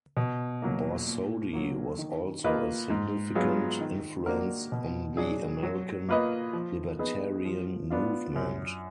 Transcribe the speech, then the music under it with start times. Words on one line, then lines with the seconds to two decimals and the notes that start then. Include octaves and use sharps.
Borsodi was also a significant influence on the American libertarian movement.
0.17 B2
0.62 F#3 A#3
1.08 A#2
1.53 F#3 A#3
1.98 D#3
2.44 A#3 F4 B4 D#5
2.90 G#2
3.35 F#3 B3 F4 G#4
3.81 D#3
4.26 A#3 D4 F#4 A#4
4.72 B2
5.17 F#3 D4 G#4
5.63 F#3
6.09 A#3 F4 B4 D#5
6.53 F3
6.99 B3 D#4 G#4 B4
7.45 F3
7.90 B3 D4 F4
8.36 F#2